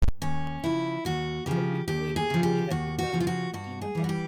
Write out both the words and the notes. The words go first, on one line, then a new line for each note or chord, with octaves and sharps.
A week later he had begun "The Demon Lover."
D#2 C#4
C#3 F3 E4
D#2 F#4
C#3 F3 G4
D#2 G4
G#4
C#3 F3
G4
D#2 F#4
F#4
C#3 F3
F4
F#4
G2 F#4
G#4
E3 G3
F#4
G4